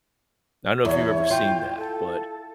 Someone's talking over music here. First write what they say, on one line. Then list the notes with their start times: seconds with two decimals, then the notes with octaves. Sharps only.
I don't know if you've ever seen that, but
0.85 E2 C#5
1.31 F4 G5
1.77 A4